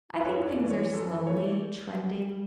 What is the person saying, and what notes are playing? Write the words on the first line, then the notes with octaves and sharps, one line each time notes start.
I think things are slowly trending
B4
F#2 C#5
C#5
D5
E3 A3
C#5
F#2 A4
E3 A3 C#5
D5